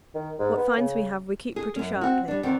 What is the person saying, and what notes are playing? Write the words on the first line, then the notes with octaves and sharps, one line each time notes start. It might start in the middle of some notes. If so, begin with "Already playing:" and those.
What fines we have, we keep pretty sharply.
D#3
G#2
B3
C#3
G#4
F#2 C#4
C4 F#4
G3 D4
E2 D#3 C4